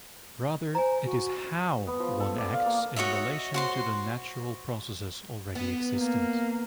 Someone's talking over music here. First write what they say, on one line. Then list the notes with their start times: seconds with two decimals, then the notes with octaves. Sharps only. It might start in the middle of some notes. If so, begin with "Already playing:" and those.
Rather, it is "how" one acts in relation to the natural processes already existent.
0.75 C5 G#5 A#5
1.04 F#4
1.87 B3
1.99 F3
2.20 A4
2.38 D5
2.53 F5
2.66 A#3
2.96 F#4 C#5 D#5 E5
3.54 F#4 C5 C6
5.55 B3
5.95 A#3